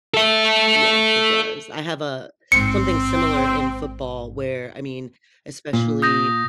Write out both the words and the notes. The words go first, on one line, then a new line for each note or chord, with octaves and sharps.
Yes, it does. I have, uh, something similar in football where, I mean, especially,
A4 E5
A1 G#2 C4 C#7
A#2
D#6 G6 A#6